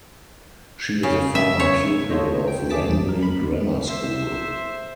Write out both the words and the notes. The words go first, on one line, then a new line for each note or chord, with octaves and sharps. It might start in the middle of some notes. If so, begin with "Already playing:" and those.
She is a former pupil of Langley Grammar School.
C#3
E5
C#5
F4 A4 C5 C#5 D#5
G5
D3 A3 G#4 A5 D6 B6
B1 E2 G#2 F3
A#4
B5
C5 E5